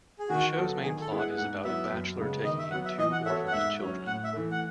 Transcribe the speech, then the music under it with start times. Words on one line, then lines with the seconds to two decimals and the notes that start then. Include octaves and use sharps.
The show's main plot is about a bachelor taking in two orphaned children.
0.19 G#4
0.29 D#3 F#4
0.57 F#3 B3 F#4 A4
0.82 D#3 G#4
1.01 A4
1.10 G#3 B3 E4 G#4
1.19 F#5
1.37 G#2 F#5
1.64 F#3 B3 E4 E5
1.91 F#2
2.18 C#3 G#3 B3
2.44 D#3 D#5
2.58 E5
2.71 F#3 B3 F#5
2.85 E5
2.98 E3 D#5
3.12 F#5
3.25 B3 F#4 A4 C#5 E5
3.48 F#5
3.53 G#2 E5
3.79 F#3 C#4
4.06 A2 F#5
4.24 E5
4.33 E3 A3
4.51 F#5